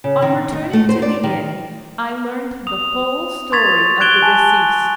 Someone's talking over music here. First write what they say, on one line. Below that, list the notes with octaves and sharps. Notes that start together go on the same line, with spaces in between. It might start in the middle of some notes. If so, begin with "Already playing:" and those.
On returning to the inn I learnt the whole story of the deceased.
C#3
D#3
D#4
A3
C5
D5
D#3
D#6 F7
C6 C#6 G#6 A6 B6 F7
F#6 G#6 D7 E7 G7
G#5 A5